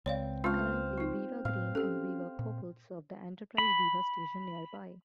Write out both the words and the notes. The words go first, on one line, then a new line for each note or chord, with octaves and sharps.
Currently, Viva Green and Viva Purple serve the Enterprise vivastation nearby.
C#2 C4 C#5 D5 F5
G#3 C#4 F4 C5 F5
D#4 F4
A2 F5
C#4 G4 A4
A#2
B5